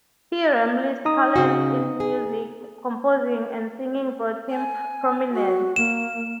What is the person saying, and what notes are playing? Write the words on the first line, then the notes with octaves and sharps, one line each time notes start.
P. Ramlee's talents in music composing and singing brought him prominence.
D#4 A#5 D#6
C#3 F#4
G#4
G#5
F#4
A#3 E7